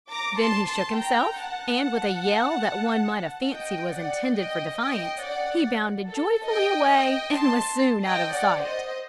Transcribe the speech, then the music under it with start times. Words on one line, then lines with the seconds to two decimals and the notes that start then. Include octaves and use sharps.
Then he shook himself, and with a yell that one might have fancied was intended for defiance, he bounded joyfully away, and was soon out of sight.
0.10 A#5 D6
0.39 A5 C6
0.67 A5 C6
0.96 G5 A#5
1.39 F#5 A5
3.51 D#5 G5
3.94 D5 F#5
4.36 D#5 G5
4.79 D#5 G5
5.22 D5 F#5
6.07 A4
6.50 D#5 G5
6.92 D#5 G5
7.35 A5 C6
8.05 D#5 G5
8.34 D5 F#5
8.62 C5 D#5